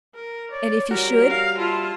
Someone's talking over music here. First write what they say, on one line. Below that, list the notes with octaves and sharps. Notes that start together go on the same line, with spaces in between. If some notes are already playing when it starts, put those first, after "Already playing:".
"And if he should?"
A#4
C#5 D5
G3 F#4 A#4
F5
E4 F4 A5